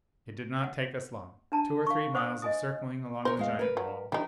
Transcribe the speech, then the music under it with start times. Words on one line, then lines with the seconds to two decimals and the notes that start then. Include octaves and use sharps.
It did not take us long--two or three miles of circling along the giant wall.
0.64 F#5
1.52 D4 A5 A#5
1.87 F5 C#6
2.15 C5 F#5 D#6
2.42 D#5 G#5 D#6
3.25 A#4 C5 C#5
3.37 E2 G#3 F5
3.59 A#4 B4
3.77 F#3
4.12 D3 E3 G3 D#4